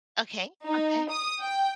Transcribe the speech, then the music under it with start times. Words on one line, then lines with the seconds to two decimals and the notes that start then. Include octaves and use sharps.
Okay. Okay.
0.65 D#4
1.11 D#6
1.43 G5